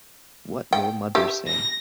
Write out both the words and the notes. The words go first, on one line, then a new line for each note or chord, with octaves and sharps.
What will mother say?
G5
G4 E5
A#6